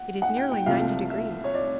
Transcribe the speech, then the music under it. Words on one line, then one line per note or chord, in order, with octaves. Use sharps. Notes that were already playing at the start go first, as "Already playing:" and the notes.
It is nearly ninety degrees.
Already playing: F#5
F#5
G5
G5
C2 C3 F3 A3 F5
E5
C#5
D5